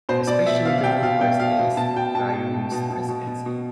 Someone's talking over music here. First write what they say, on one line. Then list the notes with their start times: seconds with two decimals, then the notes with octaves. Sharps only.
Especially during the first days of Gayoom's Presidency.
0.09 B2 C5
0.27 B2 D5
0.46 B2 E5
0.65 B2 F5
0.78 F5
0.84 B2 G5
1.03 B2 F5
1.21 B2 G5
1.39 B2 F5
1.59 B2
1.77 B2 A5
1.96 B2 G5
2.15 B2 A5
2.33 B2
2.52 B2
2.71 B2
2.90 B2
3.09 B2
3.27 B2
3.46 B2